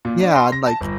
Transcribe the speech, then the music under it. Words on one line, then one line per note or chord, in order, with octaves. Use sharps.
yeah, and, like
A#2
D4
C6
A#6
A5
G1